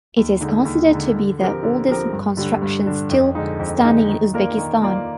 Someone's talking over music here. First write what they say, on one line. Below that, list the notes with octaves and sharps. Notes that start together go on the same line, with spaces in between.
It is considered to be the oldest construction still standing in Uzbekistan.
D#2
D3 G#3 D#4
D#2
D3 G#3 D#4
D3
F3 C4 G4 A#4
D3
F3 C4 G4 A#4
G2
D3 G3 D4
G2
D3 G3 D4
F2
D3 G#3 D#4
F2
D3 G#3 D#4
D#3
A#3 F4 A#4 D5
D#3
A#3 F4 A#4 D5